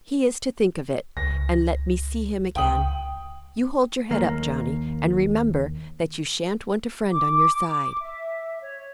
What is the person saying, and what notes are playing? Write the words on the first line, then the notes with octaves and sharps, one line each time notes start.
He is to think of it, and let me see him again. You hold your head up, Johnny, and remember that you shan't want a friend on your side.
C#2 A#6
C#2 G5 D#6 F#7
D#2 A#3
D6
E5
C#5